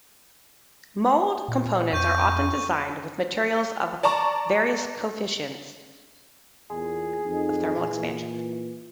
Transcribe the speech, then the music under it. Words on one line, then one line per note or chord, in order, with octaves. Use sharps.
Mould components are often designed with materials of various coefficients of thermal expansion.
A#2
F2 C#6 G6 D#7
D5 A5 A#5 C#6
E2 A#2 G#4
F2 D#4
A#2 E3